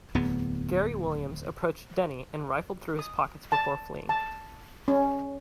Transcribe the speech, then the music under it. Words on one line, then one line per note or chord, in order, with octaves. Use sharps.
Gary Williams approached Denny and rifled through his pockets before fleeing.
D1 E2 B3
D#6
A5
A5
C#4